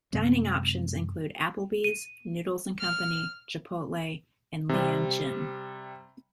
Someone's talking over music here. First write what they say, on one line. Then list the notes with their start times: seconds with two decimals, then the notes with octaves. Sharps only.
Dining options include Applebee's, Noodles and Company, Chipotle, and Leeann Chin.
0.13 F#2 C3 G#3 C4
1.84 D#7
2.81 F6
4.69 C3 G3